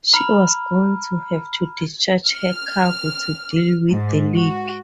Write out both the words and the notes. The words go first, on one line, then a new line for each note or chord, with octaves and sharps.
She was going to have to discharge her cargo to deal with the leak.
A#5 B5 F6
F6
G#2
F#4